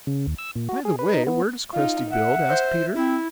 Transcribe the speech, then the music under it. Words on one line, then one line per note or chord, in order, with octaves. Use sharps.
"By the way, where does Cresty build?" asked Peter.
C#3
D#2
E6
A#2
F#4
G#4
B4
D#4
B3
D#4 F4
E5 F#5
C5
C4 E4